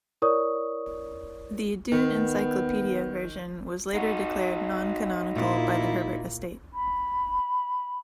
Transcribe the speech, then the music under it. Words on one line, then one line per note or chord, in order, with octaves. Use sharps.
The "Dune Encyclopedia" version was later declared non-canonical by the Herbert estate.
E4 A#4 C#5 D5 C#6 D#6
D#3 B3
D#4 F#4
A#2 E4
B5